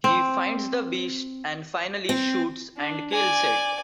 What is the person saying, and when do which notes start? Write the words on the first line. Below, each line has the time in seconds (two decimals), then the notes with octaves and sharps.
He finds the beast and finally shoots and kills it.
0.04 C4
2.09 C4
2.77 D4
3.12 D5 G#5